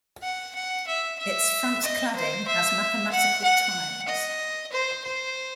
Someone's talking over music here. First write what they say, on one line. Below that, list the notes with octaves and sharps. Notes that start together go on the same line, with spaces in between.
Its front cladding has mathematical tiles.
F#5
F#5
E5
E5
D#5
C5
E5
F#5
F#5
D#5
C5
C5